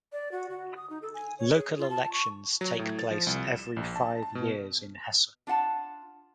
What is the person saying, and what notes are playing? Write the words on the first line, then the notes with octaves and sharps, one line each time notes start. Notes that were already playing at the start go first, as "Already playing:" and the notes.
Local elections take place every five years in Hesse.
D5
F#4
F#4
D#6
D#4
A4
G#5
C#5
G#4
F4
A5
C#6
F#3
A2
A6
F3
C2
E7
A#1
A5
A5
B2
D4 F4 F#5 A5